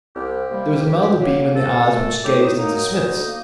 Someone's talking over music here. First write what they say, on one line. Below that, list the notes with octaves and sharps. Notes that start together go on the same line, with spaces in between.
There was a milder beam in the eyes which gazed into Psmith's.
C2 G4
C3 G3 A#3
G2
F#3 A#3
C2 A4
A#2 A3
A2 G4
D#4
F#3 A#3 D#4
D#4
D2
A#3